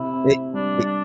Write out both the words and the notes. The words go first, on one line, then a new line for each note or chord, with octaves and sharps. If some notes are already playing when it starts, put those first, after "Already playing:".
It it
Already playing: C3 E4
C4
C3
G3 D4
G3
D4